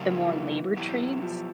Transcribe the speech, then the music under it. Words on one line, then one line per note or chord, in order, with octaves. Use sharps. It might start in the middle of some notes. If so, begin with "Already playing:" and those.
the more labor trades,
Already playing: C#3 F#3 A#3 D#4 G4
F3
E3
E3 F#3 B3 E4 G4
F3